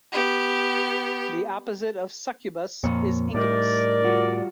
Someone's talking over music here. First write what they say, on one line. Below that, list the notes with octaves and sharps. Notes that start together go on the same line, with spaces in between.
The opposite of "succubous" is incubous.
B3 G4
F2 A#2 A#3 C#5
A2 G3 D#4 A#4 D5
G3 F4 F#4